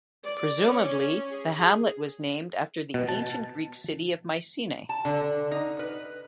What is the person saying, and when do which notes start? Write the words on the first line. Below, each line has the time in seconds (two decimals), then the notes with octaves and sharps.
Presumably the hamlet was named after the ancient Greek city of Mycenae.
0.25 D5
0.66 C#4
1.31 G#4
2.94 B2
3.09 A5
4.89 A5
5.05 D3
5.51 D#4
5.79 B4